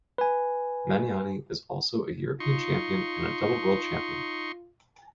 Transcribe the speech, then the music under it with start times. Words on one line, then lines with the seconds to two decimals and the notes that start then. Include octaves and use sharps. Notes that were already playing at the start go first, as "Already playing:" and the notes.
Maniani is also a European champion and double world champion.
0.18 B4 G#5
2.40 D#4 F4 C6 C#6